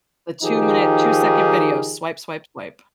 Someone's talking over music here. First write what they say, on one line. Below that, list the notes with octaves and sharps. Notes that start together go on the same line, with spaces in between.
The two-minute, two-second video, swipe, swipe, swipe.
D#3 F3 D#4 G4 G#4